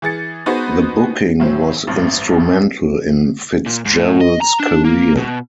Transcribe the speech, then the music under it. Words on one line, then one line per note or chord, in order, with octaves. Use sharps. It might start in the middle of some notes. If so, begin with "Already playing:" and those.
The booking was instrumental in Fitzgerald's career.
E3 G#4 A6 C#7
B3 D#4 F#4 G#4 B4 C5
A2 F#3 C4
A1 G2 C3
A#2
G#2
A2
D#5
A#5
D4
A#3
B2